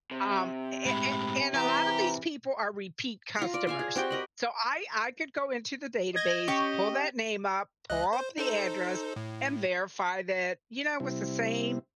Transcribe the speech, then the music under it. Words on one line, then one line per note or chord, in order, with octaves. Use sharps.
um, a a and a lot of these people are repeat customers, so, I I could go into the database, pull that name up, pull up the address and verify that, you know, it was the same
C3
A2 G#3 B5
E3 G4 A#5
F4 A#5
D5
F4 F5 G#5
G#4
C4 F#4 G4 G5
A#4 D#5 B5
D#5 G#6 A#6
C#4 G4 C#6
C#2 D#5 F#6
C5
D#4 A4 C5
A2
C3 G3 C4 E4